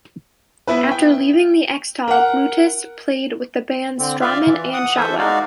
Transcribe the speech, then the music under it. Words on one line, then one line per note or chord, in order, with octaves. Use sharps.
After leaving X-tal, Broustis played with the bands Strawman and Shotwell.
B3 E4 B4
G5
A#4 F#5
D3 C4
F4 D5 E5 F5
E3
F#5 D#6
E3 A4 C5 E5
G#3 D#4 F#4 D5 F5